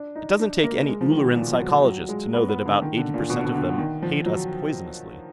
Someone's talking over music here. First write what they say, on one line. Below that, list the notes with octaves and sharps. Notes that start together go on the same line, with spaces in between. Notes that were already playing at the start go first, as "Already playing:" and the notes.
"It doesn't take any Ulleran psychologist to know that about eighty percent of them hate us poisonously."
Already playing: D4
D#4
D4
A#3
G#3
F3
D#3
B2
A#2
F#3
F#3
F#3
G#3
B3
B3
D3
D#3
D3
A#2
B2
D3
B2
D3
D#3
F3
F#3